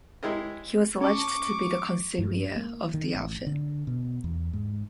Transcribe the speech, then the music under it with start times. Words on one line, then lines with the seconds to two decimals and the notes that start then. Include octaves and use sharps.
He was alleged to be the Consigliere of the Outfit.
0.23 G#3 E4 G4 G#4 A#4 D#5
1.01 C#4 A5 C#6 D6
2.19 G2
2.56 A#3
2.94 D#3
3.15 A1
3.47 D3
3.87 B2
4.24 E2
4.53 G#2